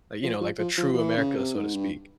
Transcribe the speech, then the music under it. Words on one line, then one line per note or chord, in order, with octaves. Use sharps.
like, you know, like, the true America, so to speak.
F3
F3
F3
F3
F3
E3
C#3
C3
G#2
G2